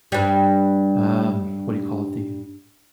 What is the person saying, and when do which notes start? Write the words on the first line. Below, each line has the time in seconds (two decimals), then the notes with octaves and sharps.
um, what do you call it? The
0.12 G2 G3